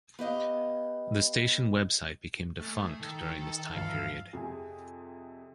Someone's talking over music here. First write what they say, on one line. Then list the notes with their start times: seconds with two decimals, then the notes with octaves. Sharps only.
The station website became defunct during this time period.
0.19 B3 G4 D#5 F5
2.60 A3 D#4 G#4 E5
3.01 D#3 A4
3.75 G2 E3 F3 F5
4.33 F2 C3 G#4 G#5